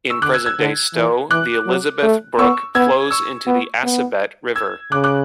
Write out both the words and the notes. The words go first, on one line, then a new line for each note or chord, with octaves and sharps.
In present-day Stow, the Elizabeth Brook flows into the Assabet River.
C#6 E6
D3 D6 F#6
E6 G#6
E6 G#6
D3
E3
E3 D6 F#6
F#3
A3
B3 C#6 E6
B3 E6 G#6
C#6 E6
B3
B3
E6 G#6
C#3 D6 F#6
D6 F#6